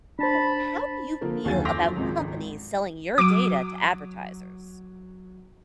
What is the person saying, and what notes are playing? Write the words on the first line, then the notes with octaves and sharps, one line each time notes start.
So, how do you feel about companies selling your data to advertisers?
D4 C5 A5 B5
D3 F3 A#3 A#4
F#1 D#2 D3 F4 G#5 A6
C6 D6 G6 A#6 B6 F7
F3 F#3
G#1 C#2
F#3 D6 D7